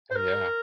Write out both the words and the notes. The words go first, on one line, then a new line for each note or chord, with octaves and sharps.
Oh yeah.
C5
A#4